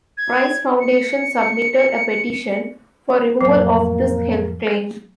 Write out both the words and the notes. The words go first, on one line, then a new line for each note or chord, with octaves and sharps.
Price Foundation submitted a petition for removal of this health claim.
G#6
C#7
F2 A2 F#3 A#3